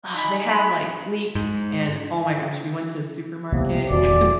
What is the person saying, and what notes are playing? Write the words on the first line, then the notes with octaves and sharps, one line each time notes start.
Ugh, they have, like, leeks and Oh my gosh, we went to a supermarket and
D#4 G#5 B5
G#2
C2 C3 A#3 B3
D#1 E2 F#4 D5